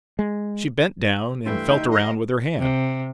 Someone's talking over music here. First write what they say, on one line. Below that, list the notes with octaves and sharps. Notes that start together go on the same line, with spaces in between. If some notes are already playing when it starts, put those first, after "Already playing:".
She bent down and felt around with her hand.
G#3
G2 E3 A3 E5 G5 C6
D#4 G6
F#3 D#5 F5
C3